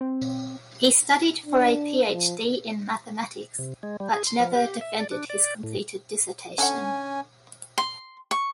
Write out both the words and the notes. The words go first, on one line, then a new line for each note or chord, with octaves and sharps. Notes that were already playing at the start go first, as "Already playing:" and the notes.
He studied for a PhD in mathematics, but never defended his completed dissertation.
C4
D4
F3
C3
G#3
G3
G#4
C6
F3
G4
E5
D5
D4
D5
A2
D3 C#4 A4 F#5 G#5
C6
C#6